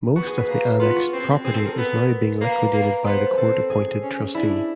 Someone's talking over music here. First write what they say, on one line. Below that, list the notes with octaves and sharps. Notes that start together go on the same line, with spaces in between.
Most of the annexed property is now being liquidated by the court appointed trustee.
B3 F#4
G#4
B4
A#3
B3 F4
F#4
C4
C4 G#4
A4
A#4
B3
A#3 B4
A#3
B3 C5
C4 A4
G#4
C#4
D4 E4